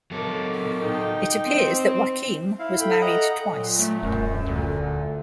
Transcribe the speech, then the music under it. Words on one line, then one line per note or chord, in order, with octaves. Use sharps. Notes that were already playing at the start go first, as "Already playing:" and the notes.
It appears that Joachim was married twice.
F#3 A4 A#4 D6
D#4 G5
C4 C5
E4 F5
A4 G5 B5
D#5 F#5 A#5
A#2 F#3
A3
D#1 F#2
D2 A#2 D3